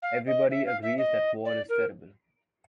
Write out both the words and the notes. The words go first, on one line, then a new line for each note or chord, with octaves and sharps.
Everybody agrees that war is terrible.
F5
D#5
E5
F5
E5
D#5
D5
A#4